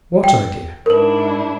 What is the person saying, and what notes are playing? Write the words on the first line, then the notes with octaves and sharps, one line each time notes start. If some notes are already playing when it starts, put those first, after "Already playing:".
What idea?
G5
G#2 D4 E4 A#4 B4